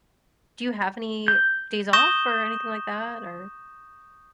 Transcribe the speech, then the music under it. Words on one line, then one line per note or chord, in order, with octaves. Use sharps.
do you have any days off or anything like that? Or
G6
C#6 D#6 G6 A#6 E7 G7